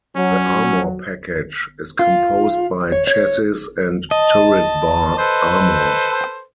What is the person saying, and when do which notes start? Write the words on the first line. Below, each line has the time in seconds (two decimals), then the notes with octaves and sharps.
The armour package is composed by chassis and turret bar armour.
0.16 F#3 C#4
1.99 F4
2.92 C#5
3.07 C#5
4.11 D#5 A5
5.18 A4 B4 C5